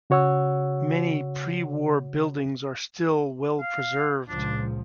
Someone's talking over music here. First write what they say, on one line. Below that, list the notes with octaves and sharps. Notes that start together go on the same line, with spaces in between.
Many pre-war buildings are still well preserved.
C#3 F#4 C#5 F#5 E6
F5
C#2 A#2 F3 D4